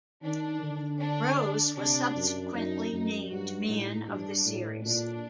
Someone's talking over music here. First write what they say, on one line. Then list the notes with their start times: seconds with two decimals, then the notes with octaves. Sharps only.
Rose was subsequently named Man-of-the-Series.
0.23 D#3 D4
0.63 D3
1.00 D4
1.77 C3 D4
2.15 F#2
2.54 F#2 D#4
2.92 F#2
3.31 G2 F#4
3.68 A2 D#4
4.07 G2 D4
4.46 A2
4.84 A#2 D4